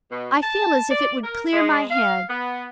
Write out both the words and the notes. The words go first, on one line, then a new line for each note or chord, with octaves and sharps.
"I feel as if it would clear my head."
B2
A5
D5
A#4
G#3
F5
B3